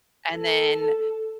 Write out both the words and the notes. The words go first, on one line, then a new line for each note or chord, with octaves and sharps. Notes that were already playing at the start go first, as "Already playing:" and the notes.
And then,
A4